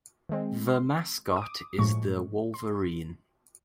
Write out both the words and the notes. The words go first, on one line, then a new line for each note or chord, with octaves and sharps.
The mascot is the Wolverine.
D#3 G#3 C4
C6
D#6
D6
A2 F3 G#3 C#6
C6